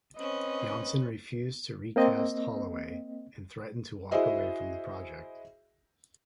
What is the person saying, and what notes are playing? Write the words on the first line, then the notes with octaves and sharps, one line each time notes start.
Janssen refused to recast Holloway and threatened to walk away from the project.
C4 C#4 B4 D#5
A#3 C4 D#5
E4 F#4 G#4 C5 D#5 E5